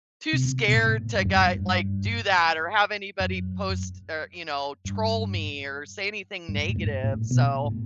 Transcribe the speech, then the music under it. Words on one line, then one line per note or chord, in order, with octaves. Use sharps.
too scared to get like, do that or have anybody post er, you know, troll me or say anything negative, so,
C3
B2
A2
G2
F#2
G2
F#2
G2
F#2
G2
G2
A2
G2
A2
B2
A2